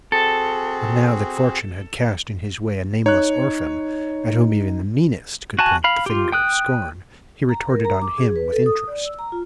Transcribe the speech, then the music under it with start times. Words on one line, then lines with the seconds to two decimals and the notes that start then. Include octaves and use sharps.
But, now that fortune had cast in his way a nameless orphan, at whom even the meanest could point the finger of scorn, he retorted on him with interest.
0.12 C4 F#4 G#4 A4
3.06 D#4 C#5 F#6
5.59 F#4 G#5 A5
5.84 F5 B5
6.06 F4 G4
6.32 G5 D#6 F#6
7.49 A#5
7.70 A#4
7.85 A#5
8.02 D6
8.18 G#4
8.36 B4
8.52 A4
8.66 D#6
8.87 D5
9.05 E6
9.19 A#5
9.32 F4